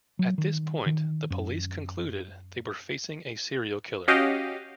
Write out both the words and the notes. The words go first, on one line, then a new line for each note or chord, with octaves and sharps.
At this point, the police concluded they were facing a serial killer.
F#3
D#3
D#3
F#2
C#4 F#4 G4 D#5 F5 G5